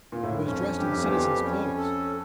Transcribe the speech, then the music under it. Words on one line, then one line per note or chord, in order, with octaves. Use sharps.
I was dressed in citizen's clothes.
A#2
A2
G2
F2 C#4
G2 G4
F2
E2
G3
F2
C#4
A4